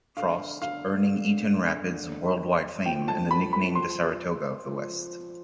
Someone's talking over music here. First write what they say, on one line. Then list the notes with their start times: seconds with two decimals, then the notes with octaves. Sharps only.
Frost, earning Eaton Rapids worldwide fame and the nickname The Saratoga of the West.
0.17 D3 F5
0.61 D3 F5
2.85 F3 G5
3.08 A5
3.31 B5
3.53 B5
3.75 C6
4.65 F3